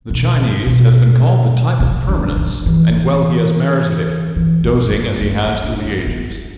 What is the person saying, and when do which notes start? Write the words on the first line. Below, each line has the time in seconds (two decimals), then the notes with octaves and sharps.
The Chinese has been called the type of permanence, and well he has merited it, dozing as he has through the ages.
0.10 B2
0.66 B2
1.80 C3
2.09 D3
2.37 D#3
2.66 E3
4.36 E3
4.64 F#3
4.93 G3
5.21 A3
5.43 A#3
5.64 D4
5.85 C4
6.07 B3